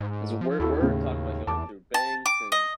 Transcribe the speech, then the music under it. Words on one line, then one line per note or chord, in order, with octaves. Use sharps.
because we're we're talking about going through banks and
G#2
F3
D#2 E4 F#4 A4
A2 C#3
E2 A5 D6
A5
D6
D#5